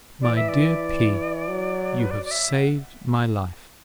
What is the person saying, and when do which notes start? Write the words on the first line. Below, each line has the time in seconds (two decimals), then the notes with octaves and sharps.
My dear P----, You have saved my life.
0.22 E3 D5
0.36 E5
0.49 D5
1.48 F#3
2.00 B4
2.11 D5
2.25 D5
2.31 E5
2.53 F#5